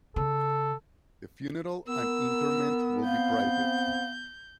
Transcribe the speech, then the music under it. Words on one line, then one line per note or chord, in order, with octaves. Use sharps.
The funeral and interment will be private.
C#3 A4
B3 A#4 E6
C4 F5 G6